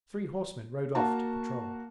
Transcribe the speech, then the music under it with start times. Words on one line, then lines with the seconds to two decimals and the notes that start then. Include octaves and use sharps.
Three horsemen rode off to patrol.
0.95 A#3 F#4 A5